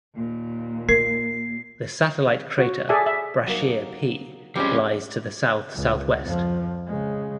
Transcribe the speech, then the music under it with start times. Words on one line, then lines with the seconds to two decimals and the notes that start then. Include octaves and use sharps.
The satellite crater Brashear P lies to the south-southwest.
0.15 D#2 A#2
0.89 A#3 A#4 C7
2.58 F#4
2.89 G#4 A4 D5 E5 G#5
3.06 E5
3.47 F#3 A#3 D#4
4.56 F3 G3 G#3 C4 C#4
5.75 C#2
6.23 F2 F3
6.86 C#3 G#3